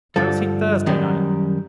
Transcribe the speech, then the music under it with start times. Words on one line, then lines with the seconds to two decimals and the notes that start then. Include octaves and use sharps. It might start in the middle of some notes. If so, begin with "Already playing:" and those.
Where was he Thursday night?
0.16 G2 D3 F3 A4
0.86 F#2 D#3 G3